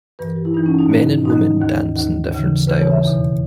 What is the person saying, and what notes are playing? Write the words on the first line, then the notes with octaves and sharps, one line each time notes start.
Men and women dance in different styles.
G2 E3 B4
A#4
G4
E4
G2 E3 D#4
C#4
D#4
G#2 D#3
G#2 D#3 D#4
D#2 D#3
D#2 D#3
D#2 C#3 E3
D#2 C#3 E3 B4
C#5
E5
E2 B2